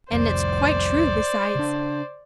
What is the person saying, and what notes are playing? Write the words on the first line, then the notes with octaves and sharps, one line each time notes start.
And it's quite true besides.
F1 C2 F2 C5 D5
C#3 D4